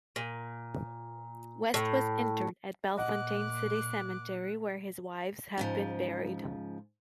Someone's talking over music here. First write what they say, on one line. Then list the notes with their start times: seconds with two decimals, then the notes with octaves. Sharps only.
West was interred at Bellefontaine City Cemetery, where his wives had been buried.
0.16 A#2
1.74 A2
2.97 A#2 D#5 F#5 D6 F#6
5.57 G#2 C#3 F3